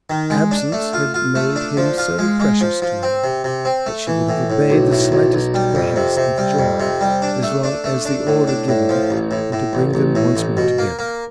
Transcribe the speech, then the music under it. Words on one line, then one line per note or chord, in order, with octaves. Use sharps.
Absence had made him so precious to her, that she would have obeyed the slightest behest with joy as long as the order given were to bring them once more together.
D#3
G#3
D4
A3
F4
F4
A3
D4
F3
F4
G#3
G#3
F3
F3
C4
C3
C3
C4
A3
E3
A2
A2
B1
A2
B1
B1
G3
F2
C3
C3
G3
F2
C3
G3
D4
A3
D4
A3
D4
A2
D4
A2
F3
A1
A2
A2
A1
A1
A2
A1
B2
A#3
A#3